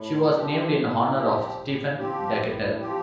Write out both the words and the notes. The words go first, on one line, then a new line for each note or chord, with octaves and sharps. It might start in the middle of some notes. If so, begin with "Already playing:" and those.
She was named in honor of Stephen Decatur.
Already playing: A2
F3 C4 G4
A2
F3 C4 G4
A2
F3 C4 G4
A2
F3 C4 G4